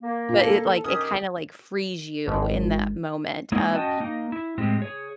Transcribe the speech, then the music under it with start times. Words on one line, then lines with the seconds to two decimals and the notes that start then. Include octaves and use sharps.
But it, like it kinda, like, frees you in that moment of,
0.01 A#3
0.29 A#2
0.43 A4
0.84 D#3 C#4 G4 D#6
2.27 G#1
3.52 G#3 A#3 D#4 E4 C#5
3.73 C#4 F#4 D#5 G5 A5
4.00 A#3 D#4
4.32 E4
4.58 A2 G#3 C4 G4
4.82 G#4 C#5